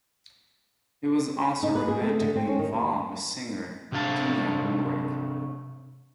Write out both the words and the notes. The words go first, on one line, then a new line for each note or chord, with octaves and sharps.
He was also romantically involved with singer Dionne Warwick.
D#4
B4
G#4
A3
D3
C4
C#4
D#3
D#2
C3 A3 D4 F5 A5